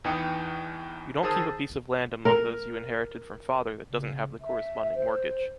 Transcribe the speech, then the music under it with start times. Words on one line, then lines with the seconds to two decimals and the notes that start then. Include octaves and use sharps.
You don't keep a piece of land among those you inherited from Father that doesn't have the corresponding mortgage.
0.04 E2 E3 D#4 G5 D#6 C#7
1.23 D#3 G#4 C5 A5 D#6 E6
2.25 A#4
3.88 C#3
4.41 E5
4.96 C5